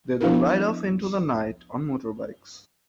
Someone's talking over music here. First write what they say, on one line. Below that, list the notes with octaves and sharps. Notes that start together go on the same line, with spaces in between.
They then ride off into the night on motorbikes.
F3 B3 D4 E4 A#4